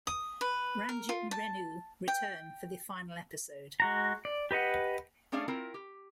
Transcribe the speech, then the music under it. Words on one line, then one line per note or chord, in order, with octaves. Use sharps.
Ranjit and Renu return for the final episode.
D#6
B4
A#4
F4
A5
G5
G#3 F#4 A#5
D5
G4 B4 D#5 F#5
A3 C#4 D4 G#4 D5 F5
C4 E4 F4 A#4
G4